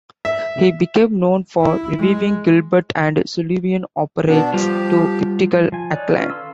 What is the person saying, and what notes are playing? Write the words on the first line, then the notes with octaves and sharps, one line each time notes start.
He became known for reviving Gilbert and Sullivan operettas to critical acclaim.
E5
E4
G#3
B2 B3 D4
F3 G3 F4 G4
F3 G#5
D#4 C#5 D5 F#6
D#3 C#4 D4 F4 B4
A4 F5 B5 C6 E6